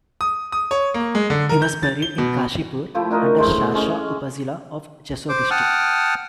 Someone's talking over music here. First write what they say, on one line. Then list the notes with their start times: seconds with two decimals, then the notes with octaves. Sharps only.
He was buried in Kashipur under Sharsha upazila of Jessore district.
0.21 D#6
0.52 D#6
0.71 C#5
0.94 A#3
1.15 G#3
1.30 D3
1.49 A#4
1.62 G6
1.83 A6
2.02 G7
2.18 B2
2.95 F3 A3 E4 G4
3.11 D4 D#4 A#4 D#5
3.37 A2 G#3 E4 C5
3.74 G#3 C#4 D#5
5.29 C5 D6
5.51 F#5 G5 A5 D#6 F6